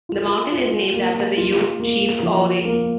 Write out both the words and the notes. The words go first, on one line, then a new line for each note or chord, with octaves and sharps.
The mountain is named after the Ute Chief Ouray.
F4
F4
A#3
F4
A#3
F3
A#3